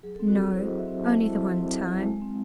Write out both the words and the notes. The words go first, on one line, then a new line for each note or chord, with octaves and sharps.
"No, only the one time."
F#3 G#4
A4
C4
F#4
F#3
E4 C5
D#5
F#3
E5
C4
F#3 A5
E4
F#3
C4
F#3
E4
G#3
C4